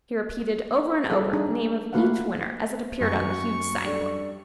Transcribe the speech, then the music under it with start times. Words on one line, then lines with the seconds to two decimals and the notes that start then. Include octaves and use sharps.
He repeated over and over, the name of each winner as it appeared on the huge signboard.
1.09 G3 C#4 G#4 A4 B5
1.33 D4 D#4 G#4
1.93 A3 A#3 F#4 B4 F5 F#5
3.01 F#2 C#6
3.84 G3 D4 A4